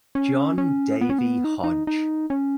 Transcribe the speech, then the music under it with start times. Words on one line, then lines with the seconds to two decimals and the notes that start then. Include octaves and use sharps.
John Davey Hodge.
0.15 C#4
0.58 C#4
1.01 B3
1.10 C#4
1.19 B3
1.44 D#4
1.64 D#4
1.87 D#4
2.30 C#4